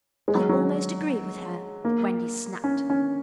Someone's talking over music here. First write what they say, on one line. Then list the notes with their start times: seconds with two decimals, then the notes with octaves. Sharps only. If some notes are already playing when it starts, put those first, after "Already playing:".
'I almost agree with her,' Wendy snapped.
0.28 G#3
0.35 F#3
0.49 F#3
1.85 A#3
2.64 C#4
2.90 C#4